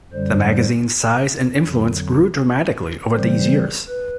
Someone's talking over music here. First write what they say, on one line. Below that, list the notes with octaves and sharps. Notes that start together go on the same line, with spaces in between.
The magazine's size and influence grew dramatically over these years.
F#2 D3 G3 C5
F2 D3 F#3
C#3 E3 G3 C4 C5
B4